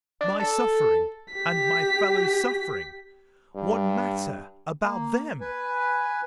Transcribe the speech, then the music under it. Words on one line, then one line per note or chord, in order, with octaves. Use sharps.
My suffering and my fellow-suffering--what matter about them!
D4
A4
G4 B6
G2
A#3
B4 G#5